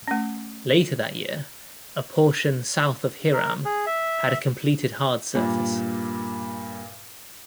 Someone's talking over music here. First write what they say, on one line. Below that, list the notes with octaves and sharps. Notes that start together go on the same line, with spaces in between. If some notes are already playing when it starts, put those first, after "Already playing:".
Later that year, a portion south of Hiram had a completed hard surface.
A3 C#4
A#4
G#4
E5
G2 A#2